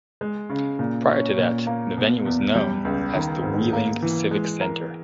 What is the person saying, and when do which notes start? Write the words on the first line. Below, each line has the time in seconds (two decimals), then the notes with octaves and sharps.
Prior to that, the venue was known as the Wheeling Civic Center.
0.21 G#3
0.49 C#3
0.79 A#2
1.09 C#4
1.38 A#2
1.67 A#3
1.97 B2
2.26 E2
2.55 G3
2.85 C#2
3.15 D#3
3.43 G#2
3.73 A#3
4.02 E3
4.31 G#3
4.61 A#4